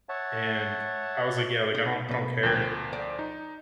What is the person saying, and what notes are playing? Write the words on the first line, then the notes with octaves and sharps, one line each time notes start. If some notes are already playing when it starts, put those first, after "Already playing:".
and I was like, "Yeah, like, I don't I don't care,"
C#5 E5 F#5 A5
D#4
B2 B4
D2 F3 G5
D5
D#4